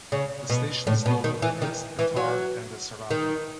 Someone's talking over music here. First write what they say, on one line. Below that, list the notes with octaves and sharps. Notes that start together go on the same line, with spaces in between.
The station's logo depicts a guitar and a "sarape".
C#3
B2
A2
B2
D#3
E3
D#3
E3
F#3
D#3